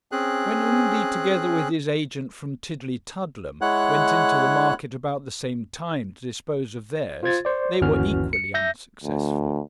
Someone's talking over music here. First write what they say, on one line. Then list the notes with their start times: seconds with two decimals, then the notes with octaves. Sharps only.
When Undy, together with his agent from Tillietudlem, went into the market about the same time to dispose of theirs, they were equally unsuccessful.
0.12 C4 C#4 G#4 F#6
3.61 G#3 E4 C#5 F#5 F#6
7.23 F4 C5 G#6 A6
7.45 C5 D5
7.81 G1 D#2 E3 C#4 F#4 F6
8.33 C#7
8.54 E5 G6 A#6
9.04 D2